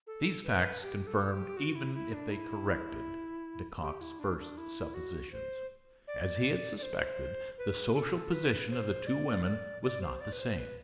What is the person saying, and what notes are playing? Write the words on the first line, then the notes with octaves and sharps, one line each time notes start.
These facts confirmed even if they corrected Lecoq's first suppositions. As he had suspected, the social position of the two women was not the same.
A4
B4
G4
A4
G4
F#4
E4
E4
D4
E4
G4
E4
D4
D4
E4
F#4
C5
D5
D5
C5
B4
A4
B4
C5
D5
D5
D5
C5
D5
B4
C5
B4